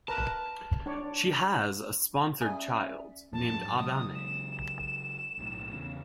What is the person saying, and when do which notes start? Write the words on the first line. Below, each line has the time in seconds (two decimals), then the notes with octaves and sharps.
She has a sponsored child named Abanne.
0.08 A#4 B4 A5 A#5
0.86 D4 C#5 D5
2.41 C#4 G#4 D5 E5
3.33 A1 F2 A2 A5
3.52 G#2 F#3
3.78 C#3 F#3 G#3 D#6
4.15 E7
5.38 B1 A2
5.73 E2 C#3